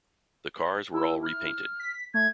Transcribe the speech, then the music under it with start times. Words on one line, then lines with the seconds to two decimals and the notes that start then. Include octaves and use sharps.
The cars were all repainted.
0.94 E4 E6
1.23 F6
1.80 B6
2.14 A3 G#6